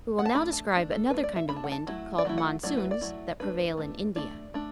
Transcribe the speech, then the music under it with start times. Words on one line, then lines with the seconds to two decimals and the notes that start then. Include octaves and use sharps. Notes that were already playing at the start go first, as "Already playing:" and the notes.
We will now describe another kind of wind, called monsoons, that prevail in India.
0.19 F#5
0.26 A5
0.34 A3 D4 B5
0.53 A5
0.72 A3 D4
0.92 A4
1.10 A3 D4 B4
1.24 D5
1.36 E5
1.49 A3 D4 B5
1.56 A5
1.64 F#5
1.72 A5
1.87 F#3 A3 E4
2.18 D5
2.25 F#3 A3 E4
2.38 F#5
2.63 F#3 A3 E4 D5
2.77 B4
2.91 D5
3.01 F#3 A3 E4
3.40 A3 D4 B4
3.77 A3 D4
4.16 A3 D4 D5
4.54 A3 D4